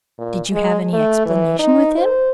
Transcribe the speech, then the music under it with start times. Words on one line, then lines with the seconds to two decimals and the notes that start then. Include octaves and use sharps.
'Did you have any explanation with him?
0.18 A#2
0.52 G#3
0.93 A3
1.25 E3
1.59 D#4
1.98 C5